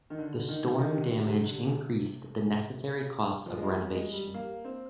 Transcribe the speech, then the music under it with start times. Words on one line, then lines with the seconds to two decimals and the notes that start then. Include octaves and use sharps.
The storm damage increased the necessary costs of renovation.
0.10 D#3
0.18 D3
0.48 D#3
0.78 D#3
0.92 C3
1.00 D3
1.23 C3
1.44 D3
1.67 C3
3.46 F3
3.57 G#3
3.68 G3
3.91 G#3
4.12 G3
4.34 A#3
4.65 C4